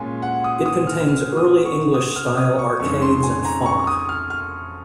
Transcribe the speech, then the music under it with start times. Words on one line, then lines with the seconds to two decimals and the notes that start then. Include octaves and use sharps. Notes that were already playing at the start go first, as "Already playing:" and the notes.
It contains Early English style arcades and font.
Already playing: A#2 G#3 C#4 F4 G#5
0.22 F#5
0.44 D#6
0.66 D#6
0.87 F6
1.08 F6
1.37 D#6
1.65 C#6
1.94 D#6
2.16 F6
2.37 D#6
2.59 C#6
2.80 F2 C#3 G#3 D#4 C#6
3.02 C6
3.23 G#5
3.45 A#5
3.66 C#6
3.87 D#6
4.09 F6
4.30 F6